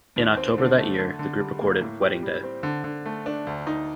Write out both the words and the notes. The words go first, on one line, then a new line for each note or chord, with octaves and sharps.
In October that year, the group recorded "Wedding Day".
D#2
C4
D3
A3
D3
D3
G3
A#3
A2
G4
G3
C4
D3
D3
A3
D4
D2
D#4